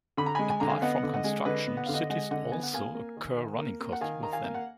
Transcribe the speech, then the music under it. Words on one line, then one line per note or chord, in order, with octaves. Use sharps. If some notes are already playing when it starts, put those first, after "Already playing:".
Apart from construction, cities also occur running costs with them.
D3 B5
A#5
G#3 G#5 B5
G#5
D3 A#5
F5 G#5
B3 D#5 F#5
D3
D#5 F#5
G#3
D3 B4 D#5
B3
F#5
D3 F5
D#5 F#5
G#3 D#5 F#5
D3 D#5 F#5
B3 G#5
F#5
A#3 F5 G#5
A#3
D#3
D#3
A#3
A#3
F#5
D#3 F5 G#5
D#3 A#5
F5 G#5
A#3
F#5